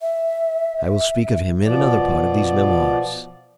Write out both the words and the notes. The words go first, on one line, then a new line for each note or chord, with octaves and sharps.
I will speak of him in another part of these Memoirs.
E5
B2 F3 D5